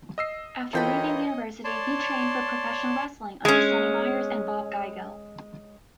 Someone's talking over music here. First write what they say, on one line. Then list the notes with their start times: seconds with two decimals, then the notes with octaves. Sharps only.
After leaving university, he trained for professional wrestling under Sonny Myers and Bob Geigel.
0.18 D#5 E6 C7
0.73 E3 F4 A4 A#4 C#5 D#5 G5 B5
1.64 C#5 D5 A5 C6
3.45 G#3 C#4